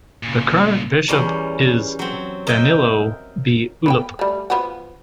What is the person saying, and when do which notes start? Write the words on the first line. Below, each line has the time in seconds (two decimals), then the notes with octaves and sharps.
The current bishop is Danilo B Ulep.
0.23 A#2 C#3
1.08 E2 G3 C#4 A#4
1.99 F#3 C4
2.47 A#4 D#5 E5 G5
3.86 B3 B4 G5
4.19 G3 A3
4.50 F3 B3 F#4